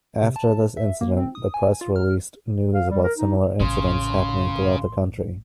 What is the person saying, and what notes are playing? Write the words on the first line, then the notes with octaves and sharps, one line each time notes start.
After this incident the press released news about similar incidents happening throughout the country.
C3
A5
E5
A#3
C4
D#6
G#5
F4
F6
F5
G3
A#4
D#4
A1 C#3 C6